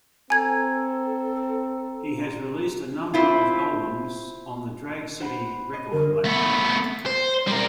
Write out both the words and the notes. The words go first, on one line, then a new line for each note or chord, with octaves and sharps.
He has released a number of albums on the Drag City record label.
C4 A4 G#5 A#5 G#6
C4 E4 F4
C5 F#5 B5
D#5
D3 A#4
A3 B3
C5
G3 A#4